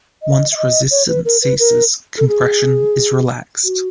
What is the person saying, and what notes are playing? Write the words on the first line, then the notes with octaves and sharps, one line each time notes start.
Once resistance ceases compression is relaxed.
D#5
E5
D#5
C#5
B4
A#4
B4
A#4
A4
G#4
F#4